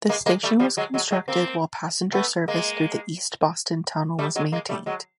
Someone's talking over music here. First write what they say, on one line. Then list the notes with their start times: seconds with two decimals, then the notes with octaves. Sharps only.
The station was constructed while passenger service through the East Boston Tunnel was maintained.
0.09 G#3 A#3
0.26 G#3 A#3
0.43 G3 A3
0.59 F3 G3
0.77 F#3 G#3
0.94 F#3 G#3
1.11 F#3 G#3
1.28 A#3 C4
2.13 A3 B3
2.48 G#3 A#3
4.19 G3 A3
4.36 F#3 G#3
4.52 G#3 A#3
4.69 G3 A3
4.86 F#3 G#3